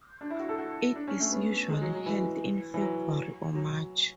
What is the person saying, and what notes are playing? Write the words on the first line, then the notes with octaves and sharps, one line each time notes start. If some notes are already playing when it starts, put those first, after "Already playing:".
It is usually held in February or March.
D4
E4
F#4
A4
F#4
D4
C#4
A3
B3
G#3
F#3
F#3
E3
E3
F#3
F#3